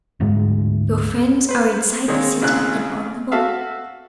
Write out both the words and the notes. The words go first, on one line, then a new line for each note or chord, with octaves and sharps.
Your friends are inside the city and on the watch.
D1 D2 G#2 G#3
B4 C5
D#3 G#3 A#3 C4 C#5
A1 D#2 C#3 C4 F#6
F#4 A4 E5 F5